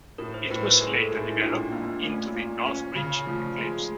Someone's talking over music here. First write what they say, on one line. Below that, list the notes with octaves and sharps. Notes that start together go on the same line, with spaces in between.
It was later developed into the Northbridge Eclipse.
A2 A#4
C5
A2 B4
B4
G#3 A#4
A4
A2 D#4
E4
A#2 D4
A#2 A#3
A3 C#4
A#2
C#4
C#3
F3 A3
G#3